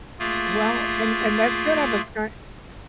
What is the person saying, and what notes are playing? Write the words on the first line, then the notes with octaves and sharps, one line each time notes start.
Well, and and that's what I was going
A3 A#3 F4 G#4